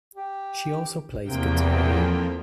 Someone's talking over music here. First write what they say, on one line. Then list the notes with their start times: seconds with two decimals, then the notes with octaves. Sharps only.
She also plays guitar.
0.15 G4
1.28 E2 C3 F3 A#3 G5
1.92 F2